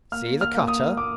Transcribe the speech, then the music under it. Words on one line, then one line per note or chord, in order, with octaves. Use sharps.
"See the cutter?"
A#3 F6
F6
A#3
D#6
A#3 D6